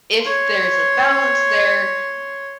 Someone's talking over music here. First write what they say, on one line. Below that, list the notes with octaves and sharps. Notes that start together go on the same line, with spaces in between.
if there's a balance there
C#5 C6